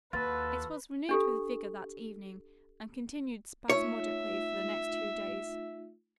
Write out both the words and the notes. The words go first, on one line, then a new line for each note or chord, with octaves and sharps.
It was renewed with vigor that evening and continued spasmodically for the next two days.
D#2 F4 F#4 A4 B4 A6
D4 G4 A4
A3 D#4 F4 C#5 E5